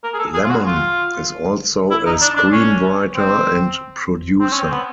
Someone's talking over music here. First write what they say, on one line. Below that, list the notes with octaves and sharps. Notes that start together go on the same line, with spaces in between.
Lemmon is also a screenwriter and producer.
A#4
G#4
A4
G#4
F4
F#4
F4
E4
D#4
D4
D4
C#4
C4
C4
C#4
C4
B3